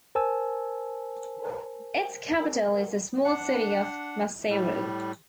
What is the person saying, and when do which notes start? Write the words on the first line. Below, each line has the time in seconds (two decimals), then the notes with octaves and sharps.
Its capital is the small city of Maseru.
0.15 A#4 C5 G#5 A5 E6
3.25 D4 F#5
4.50 A2 G3